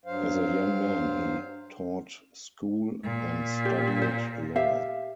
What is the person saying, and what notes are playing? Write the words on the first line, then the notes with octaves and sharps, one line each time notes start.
As a young man, he taught school, then studied law.
G2 F#3 C5 F5
A#2
G4
C5
G4 E5 F5